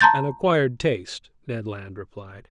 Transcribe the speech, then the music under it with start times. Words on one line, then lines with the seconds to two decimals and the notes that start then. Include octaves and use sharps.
"An acquired taste," Ned Land replied.
0.01 A5 A#5 C6 G6 A6